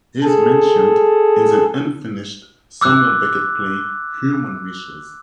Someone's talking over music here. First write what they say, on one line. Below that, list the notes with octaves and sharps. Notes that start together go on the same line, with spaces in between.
He is mentioned in the unfinished Samuel Beckett play Human Wishes.
G#4 A4
D6 E6 F#6